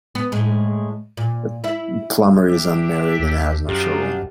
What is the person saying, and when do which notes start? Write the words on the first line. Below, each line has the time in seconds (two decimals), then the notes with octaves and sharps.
Plummer is unmarried and has no children.
0.15 B3
0.32 A2 G#3
1.17 A#2
1.64 E4 E5
2.47 D4 G4 E5
3.19 D#2
3.69 F#2 D4 D#4 F4 G4